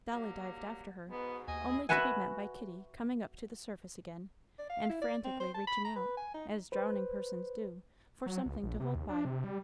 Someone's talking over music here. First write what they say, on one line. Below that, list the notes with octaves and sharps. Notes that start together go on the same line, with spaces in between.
Dolly dived after her, only to be met by Kitty coming up to the surface again, and frantically reaching out, as drowning persons do, for something to hold by.
F#3 G3 A#3
G#2 B2 B3
D#2 D#5 G#5
E4 G#4
F#4 B4 E5 F#5 G#5
D5
F5
E4
D5
C4
C5
A5
B5
A#5
B4
G#5
D#4
B4 C5
F#3
C#2
A#1
C3
D#2
D4
C3
G3